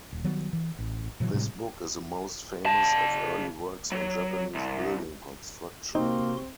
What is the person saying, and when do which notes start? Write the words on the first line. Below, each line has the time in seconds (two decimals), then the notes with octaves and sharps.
This book is the most famous of early works on Japanese building construction.
0.12 D#1
0.24 D#3 F#3 G3 B3
0.53 E3
0.79 A1
1.20 A#2 D3 E3 F#3
1.34 A2 C3 G3 G#3
2.66 C#3 A5
3.92 F#3
4.55 C2
5.95 C3 A#3 C4 D#4 F#4 C6